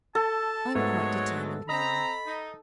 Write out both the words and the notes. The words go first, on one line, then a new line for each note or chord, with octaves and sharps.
I am quite determined, Mary.
A4 A5
G#2 F#3 G#3 A3 B3 C#5
C4 D#5 A#5 B5
D#4